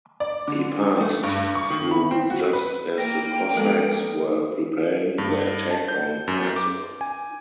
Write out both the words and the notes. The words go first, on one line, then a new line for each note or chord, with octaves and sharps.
He passed through just as the Cossacks were preparing their attack on Azov.
D5
D3
A3
G2
C#6
D#3
B5
C4
F#4
B4
A#3 G5 A#6
F3 G#3 B3 A4 B4
G2
A5
G6
F#2
D6
G#5